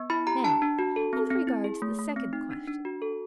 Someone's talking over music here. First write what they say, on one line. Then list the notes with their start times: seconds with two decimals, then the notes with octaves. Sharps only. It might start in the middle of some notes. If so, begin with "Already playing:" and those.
"Now as regards the second question."
Already playing: B3
0.10 E4 B5
0.27 G4 A#5
0.44 D4 A5
0.62 D4
0.79 F#4
0.96 A4
1.13 C4
1.30 C4
1.47 E4
1.64 G#4
1.82 A3
1.98 A3
2.16 C4
2.33 D#4
2.51 D4
2.67 D4
2.85 F#4
3.02 A4